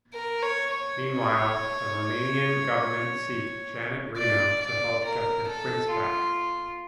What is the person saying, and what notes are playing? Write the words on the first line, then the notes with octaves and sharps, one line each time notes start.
Meanwhile, the Romanian government seek Janet Reno to help get the quints back.
A#4
C#5
C#5
D5
D5
A#4
A4
F4